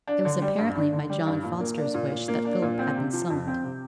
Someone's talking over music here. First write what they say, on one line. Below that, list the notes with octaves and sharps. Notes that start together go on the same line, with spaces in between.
It was apparently by John Foster's wish that Philip had been summoned.
D4
D3
G3
G2
D4
D3
G3
G2
A#2
A#3
D4
A#2
A#2
A#3
D4
A#2
C4
C3
F3
F2
C4
C3